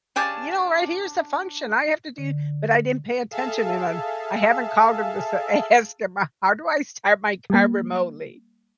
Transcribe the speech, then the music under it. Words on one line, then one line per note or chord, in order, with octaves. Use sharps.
"You know, right here is the function I have to do" but I didn't pay attention, and I'm I haven't called him to sa ask him, how do I start my car remotely?
C#3 C#4 D4 G4 G#5 A5
D3
G#4 A4 E5 F5 A5
G3 A#3